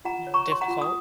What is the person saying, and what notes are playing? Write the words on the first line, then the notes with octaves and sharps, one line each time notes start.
you know, difficult.
F4 F#5 A#5
C#5
A#5 C#6
C#5 C6
F#5 A#5
F4
D#6